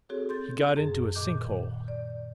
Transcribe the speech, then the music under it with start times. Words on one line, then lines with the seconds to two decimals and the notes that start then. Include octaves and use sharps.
"He got into a sink-hole."
0.09 C4 F#4 G#4 A4 C#5
0.29 C6 G6 A6
0.76 F#2 G#4
1.15 A#2 D#3 D#5 D6 F#6 G6
1.87 D5 G6